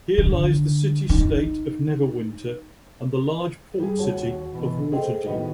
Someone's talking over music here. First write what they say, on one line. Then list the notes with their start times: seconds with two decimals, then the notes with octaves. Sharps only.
Here lies the city-state of Neverwinter and the large port city of Waterdeep.
0.18 D3
1.09 D#4
3.80 G3 G#4
3.99 D#2 F#4 C#5 A5
4.53 B2 E3
4.92 G#4 A4 C5 D#5 G5
5.26 A2 D#3 B3 F#4 D#5